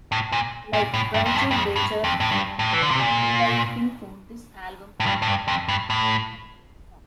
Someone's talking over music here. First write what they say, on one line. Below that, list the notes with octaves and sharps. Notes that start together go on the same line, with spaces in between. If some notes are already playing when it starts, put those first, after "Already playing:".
Like "Bryter Layter" but unlike "Pink Moon", this album contains no unaccompanied songs.
A2
A#2
A#2
A2
G2
F2
G2
G2
F2
G2
F2
A2
G2
A2
E3
D3
C3
A#2
A2
G2
A2
G2
F2
G2
A2